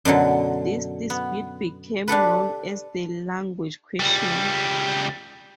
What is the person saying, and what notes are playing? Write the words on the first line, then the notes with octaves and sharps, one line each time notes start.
This dispute became known as the Language Question.
F#2 B2 D3 F#3
B3
D4 G4 A4 B4
C#2 G3